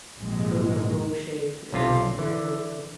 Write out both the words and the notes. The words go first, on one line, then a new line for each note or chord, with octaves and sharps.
The fruit are globe shaped with an extended point.
A#1 D#2 G#2 C3 F#3 G#3
B1 C3 F4
D3 E3